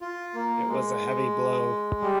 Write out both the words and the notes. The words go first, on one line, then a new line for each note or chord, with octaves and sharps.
It was a heavy blow.
F4
A#3
G#3
G3